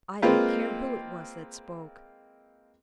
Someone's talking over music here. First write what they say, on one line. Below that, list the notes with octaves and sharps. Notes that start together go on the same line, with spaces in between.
I don't care who it was that spoke.
G#3 A#3 C4 F4 B4